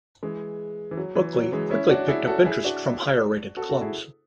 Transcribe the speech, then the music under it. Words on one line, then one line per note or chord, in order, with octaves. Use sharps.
Buckley quickly picked up interest from higher-rated clubs.
E3 G#3
E3
F#3
E3
F#3
E3 G#3
C#4 E4
D4 F#4
E4 G#4
F#4 A4
E4 G#4
D4 F#4
F#4 A4
F#4 A4
E4 G#4